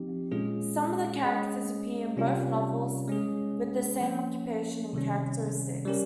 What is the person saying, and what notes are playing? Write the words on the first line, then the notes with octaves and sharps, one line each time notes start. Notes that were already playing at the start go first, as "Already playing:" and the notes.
Some of the characters appear in both novels with the same occupation and characteristics.
Already playing: F3 C4 D#4 G4
A#2 G#3 C#4 F4 G#4
G#3 C#4 G#4 D#5
C3 G3 C#4 F4
G#3 C#4 G#4
F3 A#3 C#4
C3 D#3 G3 C#4
G3 C#4 G4 A#4